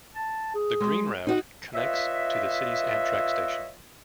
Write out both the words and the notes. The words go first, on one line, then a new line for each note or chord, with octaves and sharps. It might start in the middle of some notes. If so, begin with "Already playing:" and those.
The Green Route connects to the City's Amtrak station.
A5
G#4
G#3
D#4 F#4
F4 B4 C#5 D#5 E5